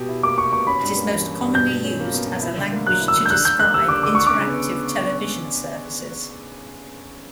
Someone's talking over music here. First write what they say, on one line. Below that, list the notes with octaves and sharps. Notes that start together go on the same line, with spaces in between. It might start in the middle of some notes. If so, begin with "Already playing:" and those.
It is most commonly used as a language to describe interactive television services.
Already playing: B2 G4
E4
A#3 D6
G4 C#6
B2 C#6
C#4 B5
G2
A#3
E3
C#4
G2
B2 G6
B2
C#4
A#3
B2
B2
E4
D3
A#3
F#3 F#6
E4
E6
D3
G6
D3 F#6
D3 G6
A#3 F#6
G3 E6
D3 D6
D3 D6
D4 C#6
D6
C#3
B3